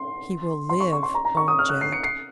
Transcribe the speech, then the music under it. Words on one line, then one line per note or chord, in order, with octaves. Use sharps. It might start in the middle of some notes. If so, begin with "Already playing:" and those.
"He will live, O Jed."
Already playing: C6
C6
C#6
C#6
C6
A#5
A#5
C#6
D#6
F6
F#6
C7
C#7
C7